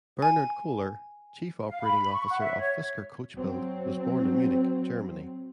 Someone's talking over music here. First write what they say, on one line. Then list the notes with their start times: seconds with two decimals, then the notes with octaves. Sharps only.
Bernhard Koehler, Chief Operating Officer of Fisker Coachbuild was born in Munich, Germany.
0.22 G#5
1.68 F5
1.83 B5
2.13 C#6
2.28 F#5
2.40 E5
2.58 C#5
3.37 F#3 C4